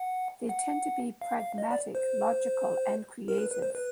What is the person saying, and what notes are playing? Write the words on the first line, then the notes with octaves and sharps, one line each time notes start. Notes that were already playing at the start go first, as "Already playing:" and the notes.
They tend to be pragmatic, logical, and creative.
Already playing: F#5
F#5
F5
F5
D#5
D5
C5
A#4
B4
B4
C5
B4